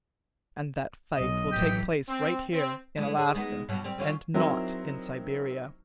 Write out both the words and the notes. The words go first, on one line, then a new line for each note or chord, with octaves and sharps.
And that fight will take place right here--in Alaska--and not in Siberia.
B1 D#5
A1 E3 F#3 G4 G5
C4
C4
E3 G#3
C#4 G#4
G#3 B3 D#4
G2 B2 F#3
G3 C4
D3 C#4 F4
F#3 C4 D#4 E4 A#4 C5